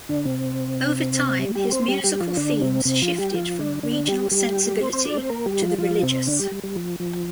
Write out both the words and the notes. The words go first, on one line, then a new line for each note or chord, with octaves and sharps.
Over time, his musical themes shifted from a regional sensibility to the religious.
D3 D4
C3 C4
G3
G3 G4
C4 C5
G3 G4
G3 G4
F3 F4
D3 D4
C3 C4
C3 C4
F3 F4
G3 G4
F3 F4
D3 D4
D3 D4
G3 G4
G3 G4
C4 C5
C4 C5
D4 D5
C4 C5
A#3 A#4
G3 G4
F3 F4
F3 F4
C3 C4
D3 D4
G3 G4
G3
G3
F3
F3